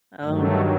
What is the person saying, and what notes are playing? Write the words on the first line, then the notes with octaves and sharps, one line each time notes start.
Oh, no.
G2 D#3 F#3 A3